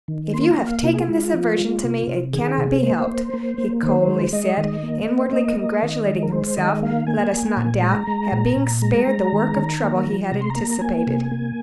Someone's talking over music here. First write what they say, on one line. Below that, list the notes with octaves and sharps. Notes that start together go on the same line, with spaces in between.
"If you have taken this aversion to me, it cannot be helped," he coldly said, inwardly congratulating himself, let us not doubt, at being spared the work of trouble he had anticipated.
D#3
A#3 C6
A#5
A#3
F5
C3 F4
G#4
G#3 F4
F3
G#3
C3
C3
D#3 G#4
C3
A#3 C5
A#3
A#3
A#3
D#3 C5
G#3
G#3 D#5
D#3
A#3
A#3
C5
A#3 D#5
A#3
D#3
G#3
A#4
G#3 C5
C5
D#3 D#5
A#3 F5
A#3 G#5
A#3
A#2
G#3 A#5
G#3
A#2
A#2
G#3 A#5
G#3
D#3
D#3
A#3
F3
C3 A#5
C6
A#5
A#3
A#5
A#3 G#5
C3
A#3